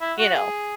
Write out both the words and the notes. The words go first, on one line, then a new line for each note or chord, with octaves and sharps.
You know?
E4
F#4
G#4